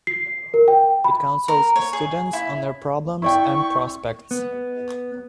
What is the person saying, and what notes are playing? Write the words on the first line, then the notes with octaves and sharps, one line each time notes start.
It counsels students on their problems and prospects.
C7
A#4
G5
B5
A#4
C#5
G#4
E4
E4 D5 G5 C#6
B3